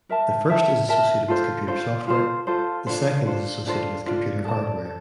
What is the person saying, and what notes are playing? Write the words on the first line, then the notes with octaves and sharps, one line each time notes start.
The first is associated with computer software, the second is associated with computer hardware.
A#4 E5 A5
A#4 E5 A5
A#4 E5 A5
F4 A4 C5
F4 A4 C5
F4 A4 C5
F4 A4 C5
D4 F4 A4 C5
D4 F4 A4 C5
D4 F4 A4 C5
D4 F4 A4 C5
A4 D5 A5
A4